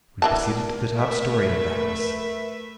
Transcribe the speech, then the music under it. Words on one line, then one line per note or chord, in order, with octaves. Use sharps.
We proceeded to the top-storey of the house.
E3 D4 A#4 D5 A5
A3 B4 E5